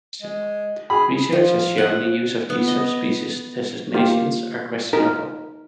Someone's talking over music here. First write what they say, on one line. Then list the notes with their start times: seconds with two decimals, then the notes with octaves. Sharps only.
Research has shown the use of these subspecies designations are questionable.
0.22 G#3
0.90 G#4 B5
1.32 F3
1.78 F#5
2.50 B3
2.68 D#5
3.94 A#3 F4 G4
4.93 D#4 A#4